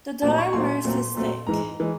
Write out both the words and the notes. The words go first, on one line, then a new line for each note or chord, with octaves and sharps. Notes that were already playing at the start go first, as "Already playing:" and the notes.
The dome roof is thick.
A#2 F#3 A3 C4 A5
C#6
A#2 F#3 A3 C4 C6
A#2 F#3 A3 C4
A#2 F#3 A3 C4
G#2 E3 G#3 A#5
E3 G#3